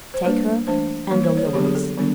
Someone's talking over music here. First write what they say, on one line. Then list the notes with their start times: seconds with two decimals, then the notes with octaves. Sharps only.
"Take her and go your ways."
0.14 C5
0.24 G3 A#3 D4 B4
0.67 E3 A3 D4 C5
1.11 E3 G3 A#3 C#5
1.24 C5
1.37 C#5
1.45 G#4
1.53 D3 F#3 B3 D4 G4
1.65 G#4
1.75 A4
1.97 D#3 G3 B3 D4